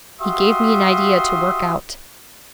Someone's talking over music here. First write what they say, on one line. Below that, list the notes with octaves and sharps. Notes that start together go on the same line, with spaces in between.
He gave me an idea to work out.
F#4 G4 E5 F5 C6 D#6